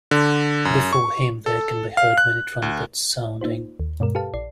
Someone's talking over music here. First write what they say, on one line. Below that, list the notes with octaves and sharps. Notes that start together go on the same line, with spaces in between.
Before him there can be heard many trumpets sounding.
D3
F#2
C#6
A4
F5
F#6
D2
A#3 D#4 F4 C5
D#2
G2 B2 G#3 A#4
G4 A4 B4 F5 A5
A#1 D5 C7